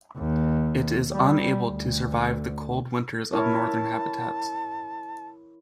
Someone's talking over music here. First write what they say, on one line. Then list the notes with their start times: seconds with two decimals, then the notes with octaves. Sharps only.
It is unable to survive the cold winters of northern habitats.
0.18 D#2
1.12 G3
1.66 D2
3.32 E4 A#4 C#5 A5